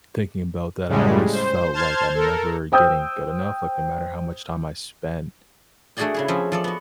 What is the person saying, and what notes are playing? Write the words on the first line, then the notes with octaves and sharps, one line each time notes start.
thinking about that I always felt like I'm never getting good enough, like, no matter how much time I spent
A2 C#3 G3 G#3
C5
C5 A5 C6 F6 G#6
A4 A#4
C5 G5 D#6 E6 G6
A3 D4 F#4 G#4 D5 G5
C#3 E4 G#4
F3 C4 C#4 E5
F3 A4 D5
B3 F#4